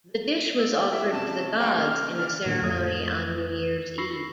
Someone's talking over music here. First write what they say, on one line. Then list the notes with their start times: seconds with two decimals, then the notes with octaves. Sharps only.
The dish was offered to the gods in a ceremony on New Year's Eve.
0.58 E6
0.92 E4 E5 D6
1.12 F#2 C3 A5
1.59 G3 A#3 B4 G5
1.74 C#3 A#3 F6
2.19 E3 D4
2.46 A2 D3 A#3
2.62 F2 F3 A3 D#6 G#6
3.98 B5 C#6 E6 A#6 C7